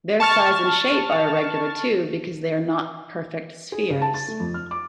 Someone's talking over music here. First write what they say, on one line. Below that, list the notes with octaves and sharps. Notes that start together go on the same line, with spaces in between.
Their size and shape are irregular too because they are not perfect spheres.
A5 C#6 F6 A6
G#4
C#3
A5
A6
A3
F2
F6
D6